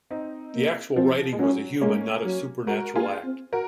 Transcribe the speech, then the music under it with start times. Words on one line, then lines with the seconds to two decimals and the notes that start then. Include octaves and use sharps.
The actual writing was a human not a supernatural act.
0.11 C4 D#4
0.54 A#3
0.96 F3 C4
1.33 G#3
1.39 F#3 C#4
1.81 G#3 A#3 C#4
2.25 F#3
2.67 G#3 F#4 A#4
2.96 A#3 F4 G#4
3.24 C4
3.53 F#4 A#4